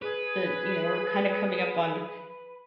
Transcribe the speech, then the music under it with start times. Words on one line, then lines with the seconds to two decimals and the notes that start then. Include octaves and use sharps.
the you know, we're kinda coming up on
0.02 G#4 B4